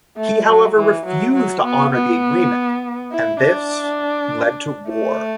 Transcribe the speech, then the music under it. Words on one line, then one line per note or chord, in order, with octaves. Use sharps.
He however refused to honor the agreement and this led to war.
A3
F#3
E3
F#3
F#3
B3
B3
E4
D4
A3